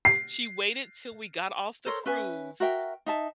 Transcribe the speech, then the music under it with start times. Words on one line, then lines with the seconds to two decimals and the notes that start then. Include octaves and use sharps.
She waited till we got off the cruise
0.05 C7
1.86 A4 A#4 C5 C#5
2.06 C#4 B4 E5 G#5
2.60 F#4 A#4 E5 G5
3.06 D#4 E5 A5